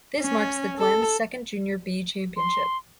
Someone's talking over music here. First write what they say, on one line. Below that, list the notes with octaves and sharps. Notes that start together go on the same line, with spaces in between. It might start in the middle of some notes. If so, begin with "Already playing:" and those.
This marks the Glens Second Junior "B" Championship.
C#4
A4
C6